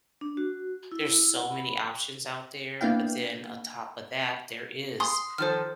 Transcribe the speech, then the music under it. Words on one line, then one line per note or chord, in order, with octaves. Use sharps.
There's so many options out there, but then on top of that, there is
D4
F#4
E4
F#5
B5
A#3 B3 D4 E4 F5 G5
C6 D#6
D#3 F3 A4 C5 F6